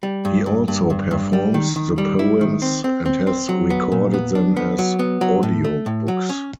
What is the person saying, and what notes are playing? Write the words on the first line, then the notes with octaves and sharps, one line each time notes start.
He also performs the poems, and has recorded them as audio books.
G3
G2
G2
G2
G2
G2
G3
D#3
D#3
G3
E4
D#3
C4
C4
C4
C4
F#3
B3
A#2
B3
D4
B3
F#3
B3
F#3
A2
A3
A2
F#3
C#4